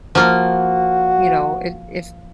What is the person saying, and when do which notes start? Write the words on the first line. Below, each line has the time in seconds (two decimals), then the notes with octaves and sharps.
you know, if if
0.15 F3 A#3 F#4